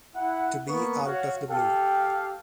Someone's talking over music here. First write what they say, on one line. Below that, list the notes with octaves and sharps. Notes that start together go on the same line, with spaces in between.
To be out of the blue.
E4 F#5
A#3 B3 B4 C#6
F#4 C#5 F5 F#5
G4 A4 F5 G5